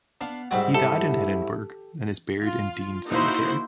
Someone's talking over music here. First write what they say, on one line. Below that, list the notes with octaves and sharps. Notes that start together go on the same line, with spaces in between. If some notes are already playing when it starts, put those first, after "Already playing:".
He died in Edinburgh, and is buried in Dean Cemetery.
B3 D4 F5 F#5
G#2 G3 C4 E4 F#4
E4 G4 A4
F4
A#3 D#4 E4 F#4 C5